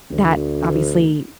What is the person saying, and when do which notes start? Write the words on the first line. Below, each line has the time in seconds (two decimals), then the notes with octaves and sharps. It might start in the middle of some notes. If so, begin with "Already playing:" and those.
that obviously,
0.11 D2